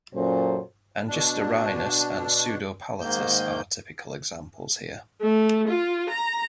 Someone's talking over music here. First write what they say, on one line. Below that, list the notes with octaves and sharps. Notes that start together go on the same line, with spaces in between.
"Angistorhinus" and "Pseudopalatus" are typical examples here.
F#2 A#2 F#3 C#4 A4 C5
B2 D4
G#2 D#3 A#3 G6
A3
F4
A#5